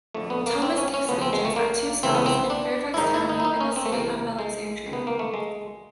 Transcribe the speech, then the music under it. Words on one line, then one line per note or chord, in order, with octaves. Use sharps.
Thomas gave speeches at two stops in Fairfax County and the City of Alexandria.
F2 D3 F3 A3
B3
A#3
C4
C#4
C#4
D2 C#3 F3 B3
C4
G#3
A3
A#3
C#2 C#3 E3 C4
B3
C4
D4
E4
G#2 D#3 D#4
E4
D#4
E4
D#4
C#4
C4
A3
E2 C3 E3 A#3
G#3
C#2 C3 D#3
B3
A#3
A3
G#3